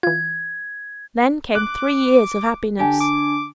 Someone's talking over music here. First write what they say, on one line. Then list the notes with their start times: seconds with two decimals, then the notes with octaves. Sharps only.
Then came three years of happiness.
0.03 E3 F4 G#6
1.55 D6 F#6
2.79 D3 G4 G#5 A5
3.00 D6